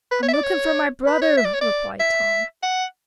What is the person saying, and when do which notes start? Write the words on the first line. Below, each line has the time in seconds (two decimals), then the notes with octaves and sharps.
"I'm looking for my brother," replied Tom.
0.11 B4
0.23 C#5
0.29 E5
0.33 D5
0.43 C#5
1.06 B4
1.22 C#5
1.37 E5
1.45 D5
1.54 C#5
1.61 D5
2.00 E5
2.63 F#5